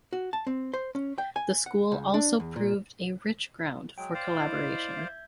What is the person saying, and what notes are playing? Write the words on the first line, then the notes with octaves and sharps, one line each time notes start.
The School also proved a rich ground for collaboration.
F#4
A5
C4
C5
C#4
G5
G#5
F#5
C#2
D4
E2
A#2
F#3 G#3 G5
C5 D5 F5
E4 D#5
E5 G6 G#6